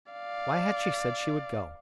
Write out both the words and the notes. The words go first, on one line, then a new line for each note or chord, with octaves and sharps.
Why had she said she would go?
D5 F5